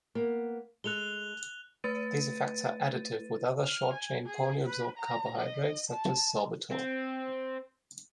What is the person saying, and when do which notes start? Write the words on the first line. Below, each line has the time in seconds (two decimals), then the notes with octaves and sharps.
These effects are additive with other short-chain poorly absorbed carbohydrates such as sorbitol.
0.15 A#3 B3
0.84 G#3 A4 F#6 F7 G7
1.84 A3 B4 A6 D#7
3.64 F6
3.94 G#5
4.26 G#4
4.66 B4
4.98 A#5
5.38 D#5
5.90 A5
6.71 C4